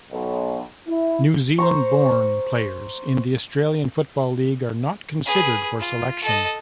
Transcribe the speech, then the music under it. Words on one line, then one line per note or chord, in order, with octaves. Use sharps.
New Zealand-born players in the Australian Football League are not considered for selection.
B1
E4
C5 A#5 C#6
G#4 B4
F4
A4 D#5